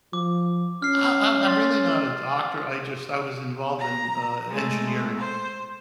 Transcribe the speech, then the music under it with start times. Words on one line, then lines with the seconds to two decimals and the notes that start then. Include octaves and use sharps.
Uh, I'm I'm really not a doctor, I just I was involved in, uh, engineering,
0.13 F3 D6
0.82 C#4 F6 C7
1.46 C6 A6
3.79 A#5
4.49 G#3 A3
5.18 C5